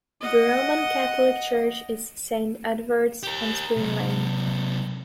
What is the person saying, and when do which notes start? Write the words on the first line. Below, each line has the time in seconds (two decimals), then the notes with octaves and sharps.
The Roman Catholic church is Saint Edward's, on Spring Lane.
0.21 D#5 F#5
3.23 G4 A#4
3.76 C3 F#3